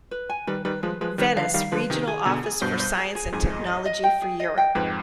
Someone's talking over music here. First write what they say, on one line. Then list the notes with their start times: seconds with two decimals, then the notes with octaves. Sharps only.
Venice : Regional Office for Science and Technology for Europe.
0.11 B4
0.29 G#5
0.47 D#3 G3 B4
0.65 D#3 G3 B4
0.83 F3 G#3 B4
1.01 F3 G#3 B4
1.18 D#3 G3 B4
1.36 D3 F3 F5
1.54 D#3 G3 F5
1.72 D3 F3 B4
1.90 C3 D#3 G#4
2.07 G#4
2.25 B2 D3 G#4
2.43 G#4
2.61 G2 B2 C5
2.79 C5
2.97 G#4
3.15 G#4
3.32 F2 G#2 G#4
3.50 D#5
3.68 D#5
3.85 D#5
4.04 G5
4.22 G#4
4.40 D#5
4.58 G5
4.75 F2 G#2 B4